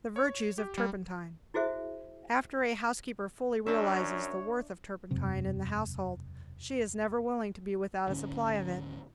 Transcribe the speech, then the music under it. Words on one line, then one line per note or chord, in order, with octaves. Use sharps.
The Virtues of Turpentine.--After a housekeeper fully realizes the worth of turpentine in the household, she is never willing to be without a supply of it.
C#5
G4
G3
E4 F#4 G#4 C5 E5
F#2 D4 C#5 E5
E1 F#2 C3
D1 G#1 D3 C#4